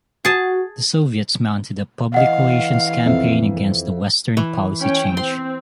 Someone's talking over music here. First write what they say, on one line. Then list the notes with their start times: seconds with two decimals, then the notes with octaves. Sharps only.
The Soviets mounted a public relations campaign against the Western policy change.
0.25 F#4 G#4 A5
2.14 E3 D#5 F5 F#5
3.06 F2 E5
4.37 E3
4.82 C#4 G5
5.17 C4 C6